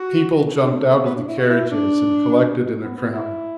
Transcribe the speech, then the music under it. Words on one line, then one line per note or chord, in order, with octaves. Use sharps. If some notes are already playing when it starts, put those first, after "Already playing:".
People jumped out of the carriages and collected in a crowd.
Already playing: F#4
D4
A3
B3
B3
D4
E4
F#4
E4
D4
B3
B3
E4